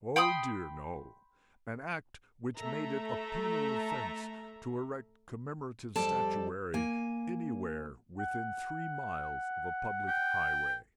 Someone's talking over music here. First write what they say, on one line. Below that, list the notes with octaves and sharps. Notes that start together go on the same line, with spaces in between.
"Oh dear, no. An Act which made it a penal offence to erect commemorative statuary anywhere within three miles of a public highway."
G5 B5 C6 D#6
A3 A4 E5 A#5
F2 G3 A4 D5 A5
A#3 G#5
F#5
G5